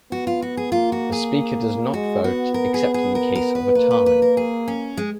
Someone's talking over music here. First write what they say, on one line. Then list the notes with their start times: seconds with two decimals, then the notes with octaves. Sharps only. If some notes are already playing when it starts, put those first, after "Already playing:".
The Speaker does not vote except in the case of a tie.
0.11 B3 F#4
0.27 F4
0.42 F#4
0.57 G#4
0.72 A#3 F4
0.92 F#4
1.12 G#4
1.94 G#3 F#4
2.24 B3 F#4
2.54 A#4
2.74 G#4
2.94 G#4
3.15 A#4
3.35 A#4
3.55 B4
3.75 A#3 B4
3.91 B4
4.06 B4
4.22 A#4
4.37 G#4
4.68 C#4
4.97 G#3